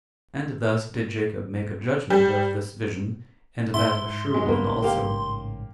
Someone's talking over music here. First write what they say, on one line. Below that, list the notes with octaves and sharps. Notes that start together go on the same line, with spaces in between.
And thus did Jacob make a judgment of this vision, and that a shrewd one also.
G3
G#2 E4 C6
F#3 G#3
E2 C#3 A#3 B3
A1 G#2 C#3
A#3 G4 F5